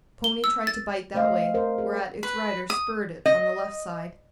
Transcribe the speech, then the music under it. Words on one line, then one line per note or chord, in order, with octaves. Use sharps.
The pony tried to bite that way, whereat its rider spurred it on the left side.
G7
E6
A6
A3 C5 D#5 F5
A#4 C5
G#4
B4
D#6
D#5